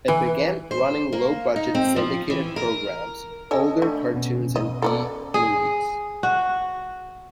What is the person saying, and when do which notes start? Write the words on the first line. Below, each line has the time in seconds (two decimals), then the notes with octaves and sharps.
It began running low-budget syndicated programs, older cartoons, and B-movies.
0.08 E3
0.71 C5
1.13 A#3
1.56 D#4
1.75 C4
1.96 F3
2.30 E3
2.56 A#4
3.51 A4 C#5 D#5 G#5 A5
3.82 A3 D4
4.14 B2 B3 C#4
4.56 D#5
4.82 A4 A#4 D5
5.34 G#4
6.23 F#4